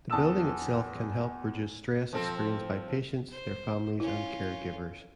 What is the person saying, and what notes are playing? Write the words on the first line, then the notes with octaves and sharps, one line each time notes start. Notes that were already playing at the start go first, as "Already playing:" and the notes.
The building itself can help reduce stress experienced by patients, their families and caregivers.
E2 A5 D#6 E6 E7
F3 C4 A4
C5
C#4 E4 F4